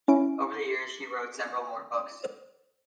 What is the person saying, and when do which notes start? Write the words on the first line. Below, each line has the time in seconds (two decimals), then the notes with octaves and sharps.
Over the years, she wrote several more books.
0.08 C#4 E4 D7